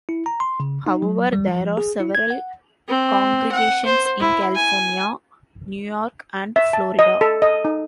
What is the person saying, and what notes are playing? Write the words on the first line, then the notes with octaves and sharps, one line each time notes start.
However, there are several congregations in California, New York, and Florida.
E4
A#5
C6
C#3
D#4
F#3
G3
F3
G#4
E4
G#6
F#5
C4
F#5
C5
E4
G#5
E5
A5
D#5
A4
D#5
D#4